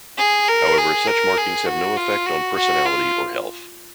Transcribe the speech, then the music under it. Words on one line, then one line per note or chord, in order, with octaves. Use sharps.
However, such markings have no effect on personality or health.
G#4
A#4
G#4
A#4
G#4
F#4
F4
F#4
F#4
F4